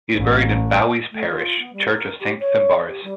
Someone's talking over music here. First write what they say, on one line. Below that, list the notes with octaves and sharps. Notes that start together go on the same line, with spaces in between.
He is buried in Fowey's parish church of Saint Fimbarrus.
A1
A3
F4
B3
G3
A#4
G4
C#5
G4
G3